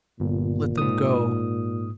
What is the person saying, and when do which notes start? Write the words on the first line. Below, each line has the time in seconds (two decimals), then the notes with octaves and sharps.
Let them go!
0.20 G1 A#2
0.78 G#2 D#6